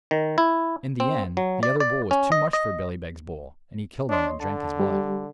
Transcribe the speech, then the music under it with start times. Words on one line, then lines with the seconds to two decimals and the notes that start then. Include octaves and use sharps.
In the end, the other bull was too much for Billy Beg's bull, and he killed him and drank his blood.
0.11 D#3
0.38 E4
1.00 C4
1.37 F#3
1.63 D5
1.80 D5
2.11 C#4
2.32 D#5
2.53 D#5
4.09 D4 C#5 D#5 C6
4.40 D3 A5
4.80 G3 G4